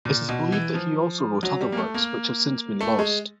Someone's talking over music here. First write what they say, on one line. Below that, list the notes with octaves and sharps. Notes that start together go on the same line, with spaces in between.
It is believed that he also wrote other works which have since been lost.
A#2
B2
E3
F3
F#3
G3
A#3
A3
A#3
A3
G#3